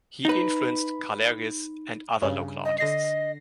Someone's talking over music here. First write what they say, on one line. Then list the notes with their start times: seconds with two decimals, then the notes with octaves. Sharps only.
He influenced Kalergis and other local artists.
0.25 D#4 B4
2.22 G2 C#3
2.65 D#5
2.78 D3 D#5 A#6 C7